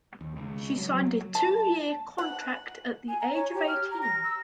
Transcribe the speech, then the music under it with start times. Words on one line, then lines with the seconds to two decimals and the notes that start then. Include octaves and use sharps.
She signed a two-year contract at the age of eighteen.
0.21 D#2
0.36 C#2
0.78 F#3
1.35 A5
2.18 F#5
3.08 G#5
3.21 A#5
3.34 C#5
3.54 G4
3.68 F6
3.91 A#5
4.02 A#6
4.24 E6